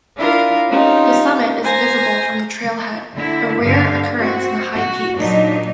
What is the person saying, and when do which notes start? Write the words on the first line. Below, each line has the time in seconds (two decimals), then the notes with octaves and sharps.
The summit is visible from the trailhead, a rare occurrence in the High Peaks.
0.18 D4 E4 F4 A#4 F5
0.69 C4 C#4 D#4 F4 G4
1.64 C5 G#5 A#5 A#6
3.16 D3 E4
3.62 G2 D3 F5
4.16 C4 F#4
4.74 F#4
5.18 A#2 F#3 D4 D#4